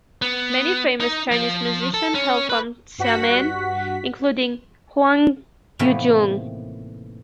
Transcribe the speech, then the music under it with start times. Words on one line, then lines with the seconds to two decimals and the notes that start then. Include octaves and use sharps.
Many famous Chinese musicians hail from Xiamen, including Huang Yujun.
0.22 B3
1.01 D#4
1.32 F3
1.94 A4
2.15 C#4
2.50 B4
2.99 G2 F#4 F#5 B6
5.79 A2 C3 D#3 E3 A#3 B3